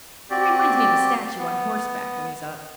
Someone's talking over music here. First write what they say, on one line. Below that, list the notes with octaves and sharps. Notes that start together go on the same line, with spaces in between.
He reminds me of a statue on horseback, when he's up.
C4 F#4 G4 D5
B3